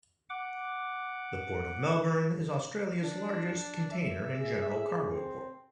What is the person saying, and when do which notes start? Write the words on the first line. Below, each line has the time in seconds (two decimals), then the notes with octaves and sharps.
The Port of Melbourne is Australia's largest container and general cargo port.
0.30 F#5 D6
3.03 D4
3.92 E5
4.36 G#4
5.11 C4